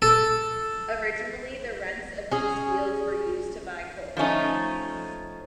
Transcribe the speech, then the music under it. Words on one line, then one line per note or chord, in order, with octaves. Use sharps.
Originally the rents of these fields were used to buy coal.
A4
C#4 G#4
F3 A3 C#4 D#4